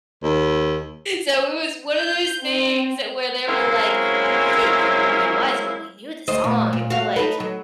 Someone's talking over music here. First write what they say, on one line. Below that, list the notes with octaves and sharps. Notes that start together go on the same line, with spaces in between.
so, it was one of those things that where they were like, "Oh, we didn't know who he was, but we knew the song." And you're like,
D#2
G6
C4
F#3 G#3 A#3 C4 C#4 E4
D2 C5 D#5
A#2
A#2
F#4 F5
D#4 A4 B4
F#3